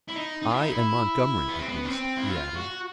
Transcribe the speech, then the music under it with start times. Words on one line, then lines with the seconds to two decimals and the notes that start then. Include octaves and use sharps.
"I and Montgomery, at least," he added.
0.08 E4
0.15 D#4
0.42 D#4
0.50 E4
0.58 D#4
0.69 E4
1.49 B3
1.59 C4
1.69 B3
1.85 C#4
1.89 C4
2.17 E4
2.30 F4
2.55 F#4